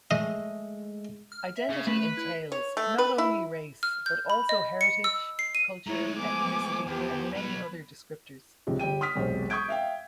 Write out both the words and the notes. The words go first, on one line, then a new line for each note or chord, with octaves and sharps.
Identity entails, not only race, but also heritage, culture, ethnicity and many other descriptors.
G#3 A3 D#5
F6
E5
C#3
A3 B4
E4
C#5
A3
B4
E4
F6
G6
B5
D#5
C#7
E6
C7
D#7
G#3 A3 E4 C#5 A#5
F3 B3 G#5 D6
E2 B3 G4
F#3 D#4 B4
C#2 C3 F3
G1 G4 G5 D#7
C6 D#6 F6 B6
E1 B1 C3 C5
C#6 D#6 G6 G#6 D7
E5 F5 G5